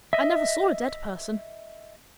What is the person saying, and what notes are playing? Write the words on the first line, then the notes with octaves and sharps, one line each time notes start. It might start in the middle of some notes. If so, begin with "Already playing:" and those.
'I never saw a dead person.
D#5 E5